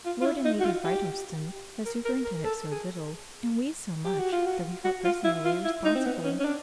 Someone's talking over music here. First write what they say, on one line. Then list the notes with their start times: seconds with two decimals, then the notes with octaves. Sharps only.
Lord and Lady Brighthelmston had superintended so little, and we so much, that we felt personally responsible.
0.05 F4
0.21 F4
0.26 E4
0.45 D#4
0.60 F#4
0.65 F4
0.85 G4
1.85 A#4
2.05 A#4
2.25 A#4
2.45 A4
2.72 G#4
4.05 G4
4.19 F#4
4.33 F4
4.46 F#4
4.85 F#4
5.05 F4
5.24 E4
5.45 F4
5.65 E4
5.85 D#4
5.95 C4
6.05 B3
6.24 C#4
6.40 C#4
6.45 D4